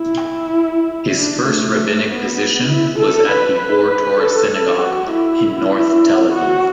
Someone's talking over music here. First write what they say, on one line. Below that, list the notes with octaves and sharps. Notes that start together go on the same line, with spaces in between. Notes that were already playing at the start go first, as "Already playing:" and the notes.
His first rabbinic position was at the Ohr Torah synagogue in North Tel Aviv.
Already playing: E4
D4
A3
B3
E4
A4
B4
B4
B4
A4
A4
F#4
E4
E4
F#4